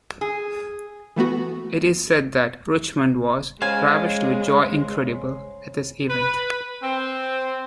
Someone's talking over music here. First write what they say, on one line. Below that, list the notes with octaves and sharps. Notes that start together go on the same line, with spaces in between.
It is said that Richmond was "ravished with joy incredible" at this event.
G#4
E3 A3 B3 F#4
C#3 G#3 C5 F5 G#5
B4
C4